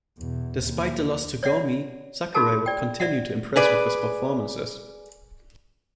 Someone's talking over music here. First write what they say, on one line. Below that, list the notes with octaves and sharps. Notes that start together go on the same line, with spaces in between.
Despite the loss to Gomi, Sakurai would continue to impress with his performances.
E2 B2
D#2
C#5 D5 E5 F#5
D#4 F4 F#4 G#4 A#4 A5
D5 G5
D5 E5 F#5
G#4 B4 D5